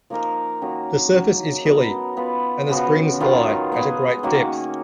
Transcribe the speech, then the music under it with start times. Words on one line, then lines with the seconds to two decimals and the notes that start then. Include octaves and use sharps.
The surface is hilly, and the springs lie at a great depth.
0.10 F3 A#3 D#4 A#4
0.62 D#3 A#3 C#4 F#4
1.14 F#3 C#4 G#4
1.65 B3 F#4 A#4 D#5
2.17 B3 F4 B4
2.68 C#3 F3 B3 F#4
3.20 D#3 F#3 B3 F4
3.72 B3 F4 G#4
4.23 D#3 A#3 C#4 F#4